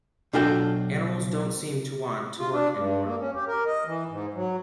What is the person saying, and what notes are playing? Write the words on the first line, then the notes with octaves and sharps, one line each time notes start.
Animals don’t seem to want to work any more.
B1 D4 F4 F#4 A4 G5
F4
D4
G2
A#3
C#4
G4
A#4
D#5
E3
G#2
F#3